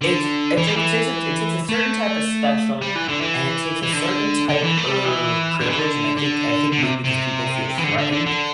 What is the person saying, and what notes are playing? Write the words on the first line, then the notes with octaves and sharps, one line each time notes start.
it's it takes it takes a certain type of special and it takes a certain type of privilege, and I think I think maybe 'cause people feel threatened.
D3
E3
G3
E3
A3
G3
E3
D3
E3
E3
D3
D3
E3
A3
G3
E3
D3
E3
D3
D3
D3
C3
C3
E3
D3
D3
D3
D3